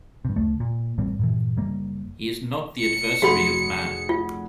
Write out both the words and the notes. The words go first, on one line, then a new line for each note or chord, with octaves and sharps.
He is not the adversary of man.
G2 C3
F#1 D2 A3
A#2
A1 A2 G3 C4
G2 A#2 E3
F#1 G3 A#3
C#7
F1 F#4 G#4 F#5 B5
F4